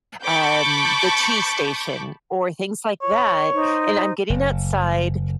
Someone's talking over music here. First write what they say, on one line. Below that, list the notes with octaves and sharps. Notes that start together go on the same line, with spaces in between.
um, the T station" or things like that, and I'm getting outside,
A5 B5 C#6 D6 G6
C#5
D#4 C5
F#1